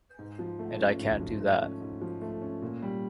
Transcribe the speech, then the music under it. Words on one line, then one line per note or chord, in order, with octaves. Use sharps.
And I can't do that.
G#2
F3
A3
C#4
G#2
F3
A3
C#4
G#2
F3
A3
C#4
A#2
G3